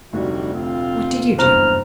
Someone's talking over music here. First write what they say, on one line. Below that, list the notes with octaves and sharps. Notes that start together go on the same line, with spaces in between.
"What did you do?"
F1 D2 G3 D#4 F#4
C4 F4
F#1 E2 G2 C5 A#5 F6